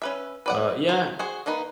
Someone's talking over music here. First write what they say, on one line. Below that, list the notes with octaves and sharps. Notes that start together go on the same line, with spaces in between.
Uh, yeah,
C#4 B4 E5
B4 D5 F#5
C5
F#4 G#4 C5
D#3 A#3 D#4 B4